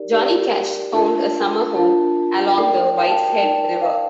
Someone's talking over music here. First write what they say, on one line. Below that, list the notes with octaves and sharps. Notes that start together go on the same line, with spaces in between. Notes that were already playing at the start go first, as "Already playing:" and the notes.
Johnny Cash owned a summer home along the Whiteshead River.
Already playing: D#4 G4 A#4 D5
D#4 G4 A#4 D5
D4 F4 A#4 A5
D4 F4 A#4 A5
D#4 A#4 D5 G5
G5
A5
G5
A5
D#4 A#4 D5 G5
F5